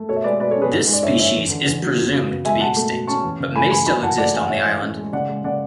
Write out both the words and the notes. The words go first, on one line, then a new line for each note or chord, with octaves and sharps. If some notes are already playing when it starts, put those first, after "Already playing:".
This species is presumed to be extinct, but may still exist on the island.
Already playing: A3
B2 A4 C#5
E5
G#3 B4 D5
B2 B4 D5
A4 C#5
C#4
G#4 B4
G#2
G#3
D5
G#2 C#5 E5
C#4 C#5 E5
E2
D3
E2
F#3
F#2
C#3
B3
G#3 E5 G#5
B2 F#5 A5
A3
B2
C#4 A5 C#6
E2
C#3
A3 G#5 B5
E3 G#5 B5
F#2 G#5 B5
C#3 F#5 A5
A3 D5 F#5
E3 G#5
F#5
A2 C#5 E5
E3
C#4
G#3
C#3 D5 F#5
G#3
C#3 D5 F#5